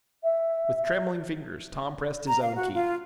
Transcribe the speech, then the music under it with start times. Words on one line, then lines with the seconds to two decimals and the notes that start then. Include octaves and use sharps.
With trembling fingers Tom pressed his own key.
0.24 E5
2.27 A#5
2.42 F5
2.55 F#4
2.74 F4